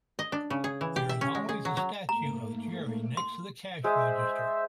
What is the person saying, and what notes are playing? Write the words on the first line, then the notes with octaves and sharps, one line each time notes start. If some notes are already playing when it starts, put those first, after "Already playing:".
There is always a statue of Jerry next to the cash register.
D#5
D4
C#3
G#4
E3
G4
E5
C#4
G#3
G#4
F#3
F#3
G#2 A3 A#3 A#5
C6
G#3 C5 E5